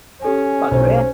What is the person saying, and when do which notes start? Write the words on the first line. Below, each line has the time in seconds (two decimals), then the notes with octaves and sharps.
Glad you're here.
0.22 C#4 G4 A4 G#5
0.71 B1 C5